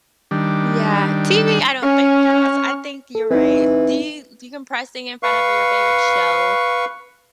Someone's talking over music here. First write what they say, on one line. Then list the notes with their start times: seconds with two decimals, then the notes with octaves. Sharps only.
Yeah. TV, I don't think counts, I think you're right, de decompressing in front of your favorite show,
0.31 D#3 G3 D4
1.83 C#4 C#6 F6
3.15 A4
3.31 E3 C4 D#4
5.23 B4 F5 C#6